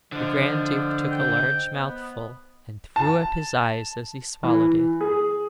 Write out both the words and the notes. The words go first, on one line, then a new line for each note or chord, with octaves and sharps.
The grand duke took a large mouthful and threw up his eyes as he swallowed it.
D3 F3 C5 D#5
G5
B3
A5
E3
G#4